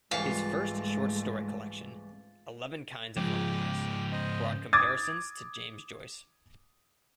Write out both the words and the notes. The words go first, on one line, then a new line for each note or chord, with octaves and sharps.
His first short story collection, "Eleven Kinds of Loneliness", brought comparisons to James Joyce.
C2 G#2 E3 G#3 A3 F4 C#6
G#2 C#3 F3 G#3 G5 D6
C5 D#5
D6 D#6 G#6 A6